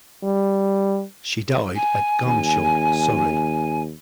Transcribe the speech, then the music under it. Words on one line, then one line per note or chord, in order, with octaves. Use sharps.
She died at Gomshall, Surrey.
G3
G#5
D#2